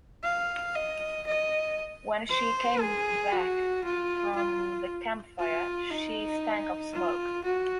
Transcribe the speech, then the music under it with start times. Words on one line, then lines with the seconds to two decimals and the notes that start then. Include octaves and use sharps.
When she came back from the campfire, she stank of smoke.
0.24 F5
0.75 D#5
1.27 D#5
2.30 C5
2.81 G#4
3.33 F#4
3.84 F4
4.36 F4
5.39 F4
5.90 D#4
6.93 F4
7.45 F#4